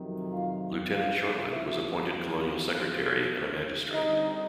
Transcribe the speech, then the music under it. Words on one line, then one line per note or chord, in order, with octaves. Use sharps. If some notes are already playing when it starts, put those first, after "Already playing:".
Lieutenant Shortland was appointed colonial secretary and a magistrate.
Already playing: F2 C3 D#3 F#3
F4 F5
F4 F5
E2 C#3 F3 E4 E5
D3 G3 C4 D#4 D#5